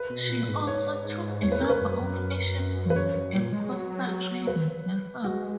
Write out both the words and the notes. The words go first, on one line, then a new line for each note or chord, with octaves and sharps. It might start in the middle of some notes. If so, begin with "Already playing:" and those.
She also took a number of fishing boats and coastal trading vessels.
Already playing: B4
B2
A#2
G#2
C#5
E2 C#5
B4
A#4
B4
F#2
F#2
B4
F#2 C#5
F#2
A#2
G#3
F#3
B4
G#3 F#4